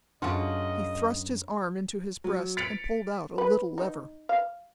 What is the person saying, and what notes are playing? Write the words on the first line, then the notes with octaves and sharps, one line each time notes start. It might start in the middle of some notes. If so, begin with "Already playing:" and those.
He thrust his arm into his breast, and pulled out a little lever.
F#2 C#3 A3 D4 F4 D#5 F#5
F#3
A6 B6 C#7 D7 F7
B4
D#4
F5